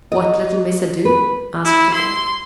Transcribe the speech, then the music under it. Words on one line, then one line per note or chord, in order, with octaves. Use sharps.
"What little Missa do?" asked the boy.
D#5
B4
E4
C6